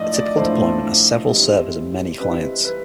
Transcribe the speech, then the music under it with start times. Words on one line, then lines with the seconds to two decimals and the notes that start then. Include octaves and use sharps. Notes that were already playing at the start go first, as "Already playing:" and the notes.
A typical deployment has several servers and many clients.
Already playing: A2 F3 A3 D4 D5 D#5
0.14 D5
0.37 A2 F3 A3 D4 C5
1.28 E3 G3 C4 D#4
2.19 E3 G3 C4 D#4 B4
2.65 B4